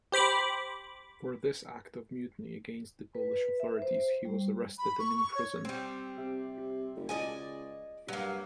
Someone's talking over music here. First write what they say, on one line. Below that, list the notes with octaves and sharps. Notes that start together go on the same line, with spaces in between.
For this act of mutiny against the Polish authorities, he was arrested and imprisoned.
G4 C5 B5 D6
B4
B4
E5
C5
G3
B5
C#6
C#6
C#5
G3 C4
C3
F#1
C#2 D5 D#5 G#5
G2 F#3 A#3